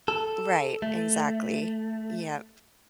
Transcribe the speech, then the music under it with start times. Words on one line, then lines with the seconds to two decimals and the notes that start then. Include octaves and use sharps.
Right, exactly, yep,
0.08 A4
0.82 A3